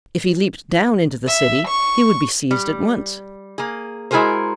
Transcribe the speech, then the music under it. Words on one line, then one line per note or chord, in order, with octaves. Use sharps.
If he leaped down into the City he would be seized at once.
E5
C#6
G3
A#3 G#4
G#3 E4 F#4 G#4 A#4 C5